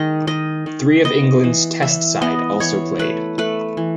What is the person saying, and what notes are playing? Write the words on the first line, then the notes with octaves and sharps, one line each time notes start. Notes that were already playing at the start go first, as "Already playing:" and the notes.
Three of England's Test side also played.
Already playing: D#3 G#3 D#5
D#3 D#5
D#3
B3 D#5
E3
E3 E5
B3 D#5
E3 C#5
A3 B4
A3 B4
E3